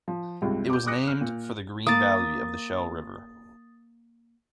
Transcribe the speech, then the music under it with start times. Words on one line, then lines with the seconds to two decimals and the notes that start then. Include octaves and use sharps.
It was named for the green valley of the Shell River.
0.08 F3
0.42 C#2 G2 C3
0.70 D6 G6
0.86 D6 D#6 F#6 A#6 C#7 D7
1.07 F6
1.21 A#2
1.87 A#3 D6 D#6 A6